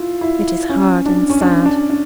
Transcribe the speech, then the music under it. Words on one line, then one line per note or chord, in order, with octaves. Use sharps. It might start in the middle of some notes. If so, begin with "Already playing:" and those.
It is hard and sad.
Already playing: E4 F4
E4
C#4
D4
C#4
D4
D4
D4